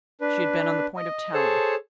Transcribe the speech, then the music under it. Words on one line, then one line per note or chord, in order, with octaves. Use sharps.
She had been on the point of telling.
D4 B4
D#5
G#4 A4 C5 C#5 A5